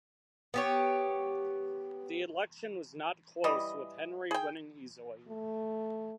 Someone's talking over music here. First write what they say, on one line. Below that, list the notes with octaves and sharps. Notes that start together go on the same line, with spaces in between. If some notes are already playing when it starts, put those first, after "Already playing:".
The election was not close with Henry winning easily.
B3 G4 C#5
E3 G3 D#5
G#4 G5
A3